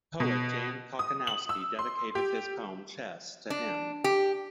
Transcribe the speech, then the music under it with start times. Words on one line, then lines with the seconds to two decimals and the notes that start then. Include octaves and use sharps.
Poet Jan Kochanowski dedicated his poem "Chess" to him.
0.20 B2
0.99 D#6
1.27 F#7
1.49 E6
1.79 C6
2.15 G4
3.50 D4
4.04 G4